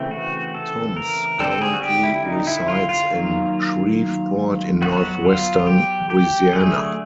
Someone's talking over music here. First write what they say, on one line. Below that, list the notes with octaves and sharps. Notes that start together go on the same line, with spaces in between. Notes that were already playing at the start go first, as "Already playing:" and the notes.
Toms currently resides in Shreveport in northwestern Louisiana.
Already playing: C#3 E3 A3 C4
F#4
A4
A#4
D3 G3 C4 A4
G#4
F#4
G4
E4
D#4
E4
F4
F4
D#3 F#3 A#3
F#3 B3 F#4
F4
G4
G4
D3 F#3 A3 G#4